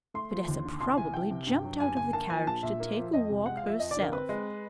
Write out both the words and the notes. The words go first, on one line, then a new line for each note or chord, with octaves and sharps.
Fidessa probably jumped out of the carriage to take a walk herself.
A3 C6
F3
D#2
D3
C2 C6
E3 G#5
C2 G5
C3
G2
F#3
G2 G#5
D3 G#5
A#3 A5
F3 G#5
A#1 A5
A#2 E5
A#3
F3
F2 D#5
C3
G#3 F#5
F5
F3
E5
F2 D#5
D5
D3 A#4
C4 B4
G#3